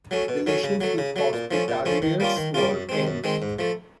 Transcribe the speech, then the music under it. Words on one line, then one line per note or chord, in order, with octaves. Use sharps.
Relations with the Hospitaliers were tense.
F#3 A3 C#4
B2
F#3 A3 C#4
C#3
F#3 A3
C#3
F#3 A3
A#2
F3 A3 C#4
A#2
F3 A3 C#4
D#3
G3 A#3 C#4 F4
D#3
G3 A#3 C#4 F4
F#2
D#3 G#3 C4
F#2
D#3 G#3 C4
G#2
F3 A3